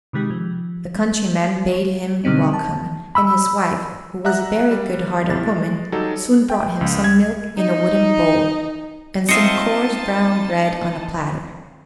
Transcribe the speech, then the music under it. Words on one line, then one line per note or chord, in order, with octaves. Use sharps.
The countryman bade him welcome, and his wife, who was a very good-hearted woman, soon brought him some milk in a wooden bowl, and some coarse brown bread on a platter.
C3 D#3 G#3 G4
F3
G#3
C#5
B2 D3 G3 C4 D#4
A5
B5 E6
E5 F#5 A#5 F#6
G3
B1 E4 G4 A6
G#3
F#3 G3 D#4 A4
G5
C#2
G#6
D#4
C4 D#4 F4 D#5 E5 A5 C7 C#7